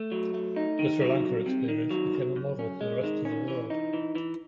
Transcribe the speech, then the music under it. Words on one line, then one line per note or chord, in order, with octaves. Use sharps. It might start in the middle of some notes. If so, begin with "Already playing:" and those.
The Sri Lanka experience became a model for the rest of the world.
Already playing: A3
F#3
A3
D#4
D#3
F#3
C2
C3
D#3
F#3
F#2
F#2
C#4
G#3
D#3
C#4
E3
D#4
E3
E3